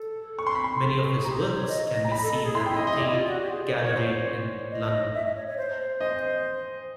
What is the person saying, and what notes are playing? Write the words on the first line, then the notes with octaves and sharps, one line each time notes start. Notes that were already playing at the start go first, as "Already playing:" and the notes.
Many of his works can be seen at the Tate Gallery in London.
Already playing: A4
C#6
C6
B5
C6
A4
A4
G#4
G4 A#5
C5
C#5
D#5
A#5
D#5 B5
A4
A4
G#4
E4 C6
G5
D#5
D#5
E4 D5
F4
F#4
G4
G#4
D5
D#5
C#5 D5
C5
C#5
C#5
D5
D#5
E5
D#5
C#5
C#5
C5
C5 D#5